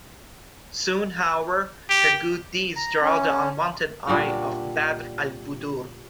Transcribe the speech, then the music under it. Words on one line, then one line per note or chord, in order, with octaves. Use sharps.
Soon, however, her good deeds draw the unwanted eye of Badr Al-Budur.
G4
A#5
C#4
A#2 G3 D4 F#4